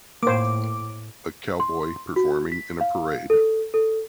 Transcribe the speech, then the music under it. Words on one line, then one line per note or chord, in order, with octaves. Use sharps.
A cowboy performing in a parade.
A2 A#3 C5 D6
C6
F#4
B6
F5
A4
A4